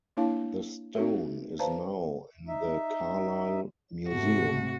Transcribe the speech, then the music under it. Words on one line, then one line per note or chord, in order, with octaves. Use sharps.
The stone is now in the Carlisle Museum.
A#3 D4 E4 C#5 F5 A5
C4 D#4 F#4 A#4 E5
B4 C5 D5 F5 A5 A#5
D#4 E5
G#2 C3 A3 F#4